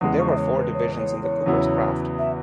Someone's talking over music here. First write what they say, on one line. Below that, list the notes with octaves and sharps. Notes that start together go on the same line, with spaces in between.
There were four divisions in the cooper's craft.
E2 C#3 G#3 F#5
C#6
E5
C#5
B4
C#5
C#5
C#5
E2 C#3 F#3 B3 E4
E5